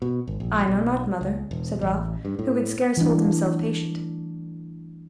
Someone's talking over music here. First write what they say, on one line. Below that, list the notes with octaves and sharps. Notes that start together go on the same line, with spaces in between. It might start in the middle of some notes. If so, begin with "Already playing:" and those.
"I know not, mother," said Ralph, who could scarce hold himself patient.
B2
G#1
A#1
B1
C#2
E1
A1
G2
A2
E3 G3 A3 D4